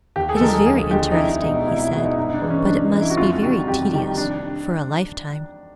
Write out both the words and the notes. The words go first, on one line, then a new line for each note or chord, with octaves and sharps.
"It is very interesting," he said, "but it must be very tedious for a lifetime."
D#2 G4
G#4
A4
D3 F3 G#3 A#4
G#4
D#2 G#4
D3 F3 G#3 G4
D#4
C2 E4
B2 G#3 D#4
C2 E4
E4
B2 G#3 E4
D#4
G2 D#4
D4
E3 G#3
C#4
G2 D4
D#4
E3 G#3
E4
F#4
F2 F4
C3 D#3 G3 F#4
F2 G4
C3 D#3 G3
D4